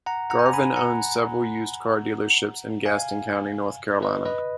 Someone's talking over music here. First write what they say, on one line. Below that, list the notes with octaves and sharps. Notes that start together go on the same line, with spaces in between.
Garvin owns several used car dealerships in Gaston County, North Carolina.
F#5 A#5
F#5 A#5
G#5
A#5
G#5 B5
F#5 A#5
F5 G#5
B4 D#5
B4 D#5